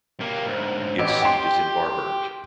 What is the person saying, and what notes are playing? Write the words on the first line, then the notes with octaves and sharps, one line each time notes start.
Its seat is in Varberg.
C3 A#3
D2 G#2
A1 G4
G5 C6